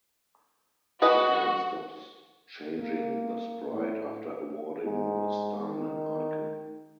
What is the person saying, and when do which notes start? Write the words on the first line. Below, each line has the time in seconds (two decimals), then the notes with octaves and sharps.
The game stops changing the sprite after awarding the starman icon.
1.02 F#4 G#4 B4 D#5
2.79 A#3
3.72 A2
4.85 G#2
5.65 D#3